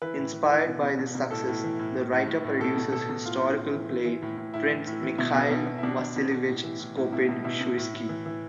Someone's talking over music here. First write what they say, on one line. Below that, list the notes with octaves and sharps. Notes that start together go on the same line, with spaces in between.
Inspired by this success, the writer produces historical play "Prince Mikhail Vasilievich Skopin-Shuysky".
E3 B4
A2
E3
E3
B2
B2
B2
B2
A2 A4
A2
E3
A2
A2
A2
A2
A2
B2 A4
B2
B2 A4
B2
A2 F4
A2
A2
E3
E3
E3
A2
A2
A2 E4
E3
A2
E3
B2 E4
B2
B2
B2
E4
B2 D4
B2
B2
B2
A2
E3
A2
A2
B2 E4
B2
B2 E4
B2
A2
A2
E3
E3